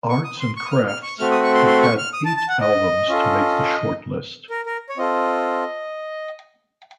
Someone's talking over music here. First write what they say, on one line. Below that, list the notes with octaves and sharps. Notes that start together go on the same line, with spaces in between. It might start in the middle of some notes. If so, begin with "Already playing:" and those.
Arts and Crafts have had eight albums make the short list.
C#6
D#6
C6
C#6
D#6
F6
F6
C#6
A3 C4 F#4 F6
D#6
C#6
C6
C6
C#6
F6
D#6
A5
A5
F#5
D#5
C#4 F4 A4
A#4
A#4
C#5
C4 F4 A4 D#5